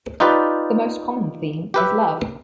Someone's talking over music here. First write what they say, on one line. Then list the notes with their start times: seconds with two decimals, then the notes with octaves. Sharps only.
The most common theme is love.
0.20 D#4 F4 G4 B4 D5
1.74 G4 B4 E5